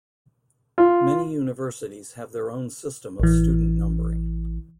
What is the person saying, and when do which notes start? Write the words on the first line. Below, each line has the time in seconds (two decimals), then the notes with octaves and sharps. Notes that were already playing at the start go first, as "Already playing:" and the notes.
Many universities have their own system of student numbering.
0.78 F4
3.20 A1 E3